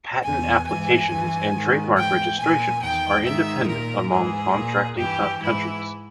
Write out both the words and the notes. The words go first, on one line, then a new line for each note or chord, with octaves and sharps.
Patent applications and trademark registrations are independent among contracting countries.
E2 B2 G#5
G#2 E3 G#5
G2 E3
G#2 D#3
G#2 E3 G5
A#2 G#5
E2 D#3 G5
G#2 D#3 E5
A#2 A#4
G#2 E3 G#4
A#2
G2 E3 G4
G#2 E3 E4